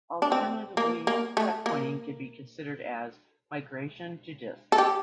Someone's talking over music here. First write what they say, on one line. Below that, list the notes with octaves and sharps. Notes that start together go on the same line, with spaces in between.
Alternatively checkpointing can be considered as "migration to disk".
D4
C4
A#3
A#3
A3
A#3
A4
G4